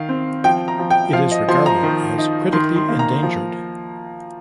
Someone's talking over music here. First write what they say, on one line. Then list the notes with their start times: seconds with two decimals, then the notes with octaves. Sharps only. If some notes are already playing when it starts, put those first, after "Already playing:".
It is regarded as critically endangered.
Already playing: D#3 F5
0.09 C4
0.44 F3 G5
0.68 A#5
0.79 F3
0.90 G5
1.13 F3 F5
1.31 D#5
1.49 F3 C6
1.66 A#5
1.83 D#3
2.18 D#4
2.53 D#3 C6
2.76 C6
2.89 A#3
2.99 A#5
3.23 F3